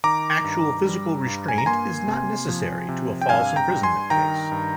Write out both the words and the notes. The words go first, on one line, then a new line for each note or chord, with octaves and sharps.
Actual physical restraint is not necessary to a false imprisonment case.
D#3 A#5 D6
G2
G3
G2
G#5
A#5
A#3 G#5 C6
C3
F3
C3
G5
G2 F5 G#5
G5 A#5
G2
G#5 C6
D#3 G5 A#5
G2